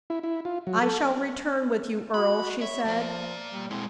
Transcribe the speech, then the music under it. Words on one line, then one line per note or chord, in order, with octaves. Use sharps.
"I shall return with you, Earle," she said.
E4
E4
F4
F#3
A4
F#4 B5
C#5 E5
F3 A#3 D5
G3
G#3 C4 E4